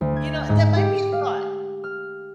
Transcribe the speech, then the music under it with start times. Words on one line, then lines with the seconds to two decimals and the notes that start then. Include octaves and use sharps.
You know, that might be a thought.
0.01 D2
0.16 G#6
0.49 G#2
0.77 G4
1.12 F5
1.84 F6